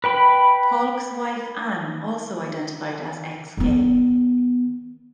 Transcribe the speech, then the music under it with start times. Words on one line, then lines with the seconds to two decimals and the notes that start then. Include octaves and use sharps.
Paulk's wife, Anne, also identified as ex-gay.
0.04 B4 G5 B5
3.57 D#3 B3